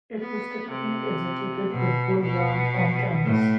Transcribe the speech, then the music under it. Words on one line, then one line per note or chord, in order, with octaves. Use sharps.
It was typically executed with wool yarn on canvas.
B3
C3
B2
B2
A2